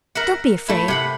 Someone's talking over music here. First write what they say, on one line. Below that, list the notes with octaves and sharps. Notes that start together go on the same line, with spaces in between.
Don't be afraid.
A#4 E5 F#5
A3 E4
C3 F#5 B5